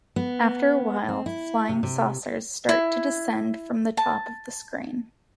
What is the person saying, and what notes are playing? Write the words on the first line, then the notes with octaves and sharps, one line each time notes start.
After a while, flying saucers start to descend from the top of the screen.
B3
C4
E4
C3
C3
E4
A5